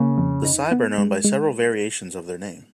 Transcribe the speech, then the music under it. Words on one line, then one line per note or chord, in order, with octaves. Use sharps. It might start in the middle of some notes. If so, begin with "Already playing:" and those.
The Sibe are known by several variations of their name.
Already playing: C#3 A#3
F2
D#4
B3
G#3
G#3